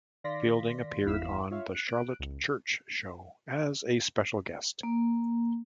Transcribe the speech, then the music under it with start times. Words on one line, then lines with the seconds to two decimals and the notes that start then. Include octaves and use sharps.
Fielding appeared on "The Charlotte Church Show" as a special guest.
0.24 D#3 D5 F5 C6 A#6 B6
1.05 G1 E2 E4 F5 B6 E7
1.51 F4 C#5 E5 F5
1.73 F#6 D7
2.19 C#2
4.83 A#3